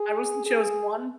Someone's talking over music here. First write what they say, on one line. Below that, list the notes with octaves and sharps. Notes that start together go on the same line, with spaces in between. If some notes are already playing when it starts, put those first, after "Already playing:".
I was the chosen one.
Already playing: G#4
G#4